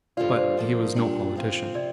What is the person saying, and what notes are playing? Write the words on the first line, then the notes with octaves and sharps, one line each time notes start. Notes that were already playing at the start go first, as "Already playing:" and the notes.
But he was no politician.
G2 D3 G3 C4 F4 D5
D5
C5
D3 F3 A#3
A#2 G3 D4
F3 C4 F4
C3 F3 D5